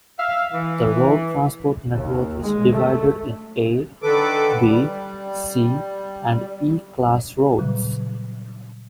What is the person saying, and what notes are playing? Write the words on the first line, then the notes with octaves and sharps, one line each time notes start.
The Road transport network is divided in A, B, C and E class roads.
E5 F5
E3
D#2
G#3
A3
D3 D#3 A4 B4 D6
G3
A#2 C#3 F#3 G3